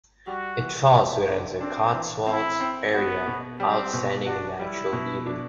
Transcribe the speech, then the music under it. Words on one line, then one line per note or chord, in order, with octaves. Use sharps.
It falls within the Cotswolds Area of Outstanding Natural Beauty.
G3 F#4
E3
C3
D4
C4 D4
E3
C4 E4
C4
B3 F#4
B2
G3 C4
B2
D4 F#4
G3 E4
B2
D4